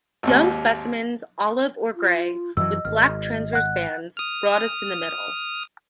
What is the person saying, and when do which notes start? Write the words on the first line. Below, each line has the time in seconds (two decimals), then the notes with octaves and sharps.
Young specimens olive or grey with black transverse bands, broadest in the middle.
0.23 G#1 D#2
1.95 F4
2.57 F#2 E3 F#3 D#5 E6
2.85 G#1 F6
3.53 F#5 F#6
4.17 D#6 F6